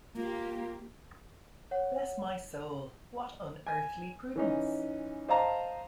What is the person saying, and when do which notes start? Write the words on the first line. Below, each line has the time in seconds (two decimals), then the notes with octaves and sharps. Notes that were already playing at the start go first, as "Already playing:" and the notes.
Bless my soul, what unearthly prudence!
0.17 A#3 F4 G4
1.71 C#5 F#5
3.67 G#5
4.36 E3 C#4 D#4
5.28 C5 D#5 F5 A5 A#5